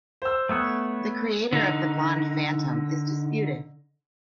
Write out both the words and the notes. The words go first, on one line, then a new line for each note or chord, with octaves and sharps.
The creator of the Blonde Phantom is disputed.
C5 E6
A3 B3 C#5 D#6 E6 F#6
D3 D#4